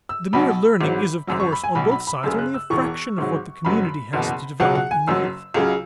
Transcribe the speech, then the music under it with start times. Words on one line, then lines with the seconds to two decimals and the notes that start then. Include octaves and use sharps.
The mere learning is of course on both sides only a fraction of what the community has to develop in the youth.
0.09 E6
0.33 B1 B2 F#3 B5
0.81 G#1 G#2 F#3
1.27 G#1 F#2 F#3 E6
1.40 C#6
1.52 B5
1.64 G#5
1.75 B1 B2 F#3 B5
1.91 B5
2.07 B5
2.23 F#1 F#2 C#3 E6
2.39 F#6
2.54 E6
2.70 E1 E2 E3 C#6
3.18 G#1 G#2 F#3
3.65 F#1 F#2 F#3 B5
4.13 F#1 E2 B2
4.60 C#2 B2 F#3 F#5
4.75 F#5
4.91 G#5
5.07 F#1 F#2 F#3 E6
5.54 C#2 C#3 F#3